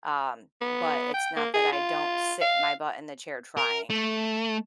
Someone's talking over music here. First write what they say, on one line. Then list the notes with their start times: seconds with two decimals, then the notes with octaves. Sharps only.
Um, but it's not that I don't sit my butt in the chair trying.
0.62 B3
1.14 G5
1.37 A#3
1.54 G#4
1.73 F4
2.41 F5
3.57 A#4
3.90 A3